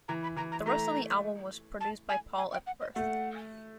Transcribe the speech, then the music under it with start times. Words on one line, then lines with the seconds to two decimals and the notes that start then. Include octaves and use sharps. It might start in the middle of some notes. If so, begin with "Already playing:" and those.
The rest of the album was produced by Paul Epworth.
0.08 E3 A#5
0.23 B5
0.37 E3 A#5
0.52 A#5
0.66 A3 A#5
1.81 A5
2.09 G#5
2.38 G#5
2.53 G5
2.67 F#5
2.81 D#5
2.95 A3 F#5